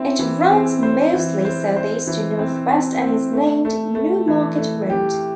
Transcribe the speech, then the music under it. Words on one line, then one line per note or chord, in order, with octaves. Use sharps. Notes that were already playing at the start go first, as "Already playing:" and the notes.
It runs mostly southeast to northwest, and is named New Market Road.
Already playing: C4 E4
E3
C4
C5
E3
C5
C5
E3
C4
C4
C4
A3
A3
A3
E3
A3
G4